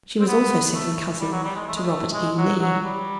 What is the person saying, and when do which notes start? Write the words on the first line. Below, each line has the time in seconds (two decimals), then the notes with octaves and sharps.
She was also second cousin to Robert E. Lee.
0.21 C4
0.27 B3
0.74 A3
1.20 G3
1.32 F#3
1.44 G3
1.56 G#3
1.68 A3
1.76 G#3
1.83 A3
2.14 G#3
2.38 F#3
2.61 F#3
2.85 G3